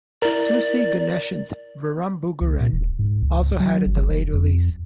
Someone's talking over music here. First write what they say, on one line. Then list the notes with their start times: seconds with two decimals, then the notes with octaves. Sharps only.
Susi Ganeshan' s "Virumbugiren" also had a delayed release.
0.22 E4 A#4 D5
2.41 C#2
2.61 A#2
2.73 D#1
2.99 G#2
3.23 C#2
3.60 F#3
3.86 G1
4.10 F1
4.34 F2